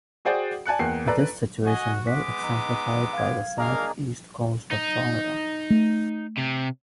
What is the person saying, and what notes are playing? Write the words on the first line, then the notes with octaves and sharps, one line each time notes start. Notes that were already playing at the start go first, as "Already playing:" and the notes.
This situation well exemplified by the southeast coast of Florida.
F#4 G#4 C5 D5 F#5 G5
D5 G#5 A5 F#6 C#7
E2 A#3 G5 C7
A4 B4 D5 A#5
F#4 D#5 F#5 G#5
G#3 B3 D6 B6
D#4 E6
F5 G#6
A#3 D4 G#4 A#4 D#5 F5 A#5
D#4
A3
C3